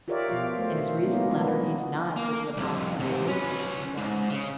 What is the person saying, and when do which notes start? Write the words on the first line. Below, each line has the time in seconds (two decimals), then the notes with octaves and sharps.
In his recent letter he denies that the apostle ever made such a complaint.
0.08 F4 G4 A#4 C#5 D5 E5
0.28 B2 F3 F4 F5
0.58 A3 C5
1.04 F#3 G#3 A#3 B3 C#4 D#4
1.30 E3 F#3 B3 D4 D#4 F4
2.16 A#3
2.57 C2 F2
3.00 G#2 C3
3.28 C#4 B4
3.97 G#2
4.30 C#3